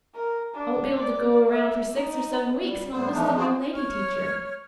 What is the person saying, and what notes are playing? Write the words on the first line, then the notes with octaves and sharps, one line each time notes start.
I won't be able to go around for six or seven weeks and I'll miss the new lady teacher.
A#4
D4
D5
E5
D#4
G3
A2 G3 B3 C5
E3 F3 A3 D4 D#4
F4 F#4 G#4 C5
C#5 F6